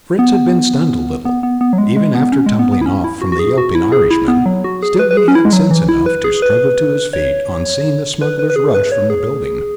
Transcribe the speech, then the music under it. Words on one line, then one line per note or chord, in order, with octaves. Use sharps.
Fritz had been stunned a little, even after tumbling off from the yelping Irishman; still, he had sense enough to struggle to his feet on seeing the smugglers rush from the building.
B3
B3
B3
B3
F#3
G#3
G#3
B3
C#4
G#3
B3
B3
E4
C#4
E4
F#4
F#4
G#4
F#4
E4
G#4
E4
B3
F#3
F#4
G#4
B4
B4
G#4
C#4
E4
G#3
F#3
E3
E4
B4
G#4
B4
C#5
B4
B4
B4
G#4
B4
C#5
G#4